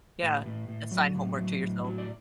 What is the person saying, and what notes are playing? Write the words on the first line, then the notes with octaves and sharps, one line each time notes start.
Yeah. Assign homework to yourself.
A2 B4
A2
A2
F#3
A2
F#3
A2
F#3
D5